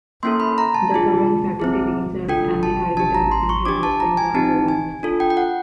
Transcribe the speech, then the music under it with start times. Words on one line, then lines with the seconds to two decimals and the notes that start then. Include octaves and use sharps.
The current Faculty Deans are Anne Harrington and her husband, John Durant.
0.23 A#3 C#4 E4 A4 C6
0.40 B5
0.58 A#5
0.74 A5
0.91 D4 F4 G#4
1.60 C4 E4 G#4
2.28 D4 F4 A4 G5
2.63 A5
2.97 D4 G4 A5
3.15 A#5
3.31 C6
3.49 C#6
3.65 D4 G4 D6
3.83 A5
4.00 A#5
4.17 G#5
4.34 C4 D#4 G4 A5
4.68 G#5
5.03 D4 F4 A4
5.20 G5
5.30 G5
5.37 F#5